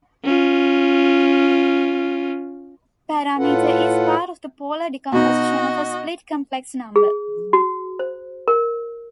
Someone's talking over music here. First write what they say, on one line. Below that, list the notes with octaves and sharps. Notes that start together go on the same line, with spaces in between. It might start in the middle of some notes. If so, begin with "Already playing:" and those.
This parameter is part of the polar decomposition of a split-complex number.
C#4 F4
A2 F4 A4 B4 F#5
B2 D#4 F#4 D#5
G#4
F#4
C5
A#4